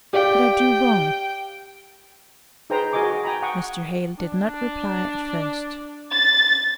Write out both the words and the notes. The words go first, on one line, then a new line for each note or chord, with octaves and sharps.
Did I do wrong?' Mr. Hale did not reply at first.
G4 D5 F5 G5
D#4 G#4 B4 C5 G5 A#5
F#4 G#4 A#4 D#5 G#5 D6
G5 G#5 A#5 B5
F#5 G5 C#6 D#6
D4
A6